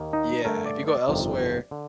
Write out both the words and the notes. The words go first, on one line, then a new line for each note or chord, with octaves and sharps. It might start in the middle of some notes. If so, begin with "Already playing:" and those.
Yeah, if you go elsewhere
Already playing: D#2 D#3 A#3
D#4
G2 D3 A3 A#4
D5
D5
G1 F2 C3 D#3
D3